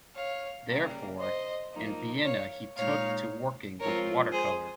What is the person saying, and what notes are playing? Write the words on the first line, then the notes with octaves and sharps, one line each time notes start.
Therefore, in Vienna he took to working with watercolor.
C#5 F5
C#3 G3 A#3
C5 D#5
F3 A#3 D#4
C#5 F5
A#2 G#3 D#4 C#5 F5
F3 G#3 C4 F4 A#4 C#5
G#4 C5